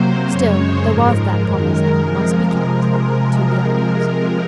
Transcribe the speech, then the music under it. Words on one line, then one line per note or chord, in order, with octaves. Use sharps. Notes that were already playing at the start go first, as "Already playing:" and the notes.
Still, there was that promise, and it must be kept--to the utmost.
Already playing: C3 F#3 A#3 C5
F#2 C#3 G#3 C#5
C5
G#2 F3 G#3 A#4
F#2 D#3 G#3
A#4
C3 F3 G#3